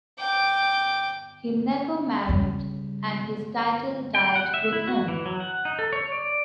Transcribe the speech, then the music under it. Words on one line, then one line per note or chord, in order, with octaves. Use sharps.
He never married, and his title died with him.
G5 D6
C#3 G3
G5
F#5
E5
E4
F#4
E3
F#3
F#5
D#4
A4
C#5
D5